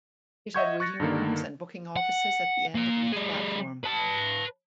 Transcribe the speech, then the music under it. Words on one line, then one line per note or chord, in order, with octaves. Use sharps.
It had waiting rooms and booking offices at the end of each platform.
D#5 E5 F#5 C#6 G6 G#6
C#6 F#6 A6 A#6 C#7
G2 D3 D#3 A#3
F#5
A#3 C6
G3 G#4
B4 A5